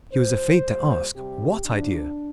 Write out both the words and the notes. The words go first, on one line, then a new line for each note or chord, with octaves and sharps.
He was afraid to ask what idea.
C3 F3 C5
A#2 G3
C3 G3 G4
C3 F3 D4